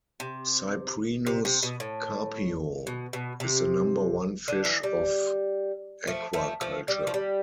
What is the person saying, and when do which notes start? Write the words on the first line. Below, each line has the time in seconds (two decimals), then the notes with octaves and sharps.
"Cyprinus carpio" is the number one fish of aquaculture.
0.20 C3
1.26 C3
1.45 C3
1.63 B2
1.80 A2
2.87 B2
3.13 B2
3.40 C3
4.48 D3
4.65 E3
4.83 G3
6.07 F3 A3
6.33 F3 A3
6.61 F3 A3
6.88 G3
7.07 F3
7.14 G3